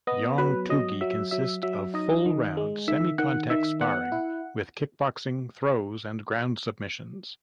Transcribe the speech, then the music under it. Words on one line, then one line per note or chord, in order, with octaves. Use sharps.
Yongtoogi consist of full round, semi-contact sparring, with kickboxing, throws, and ground submissions.
B3 D#5
F#3 B4
F#3 D#5
F#3 E5
F#3 E5
F#3 E5
D#4 D#5
D#3
G#3
D#3 E5
D#3 F#5
D#3 E5
B3 F#5
E4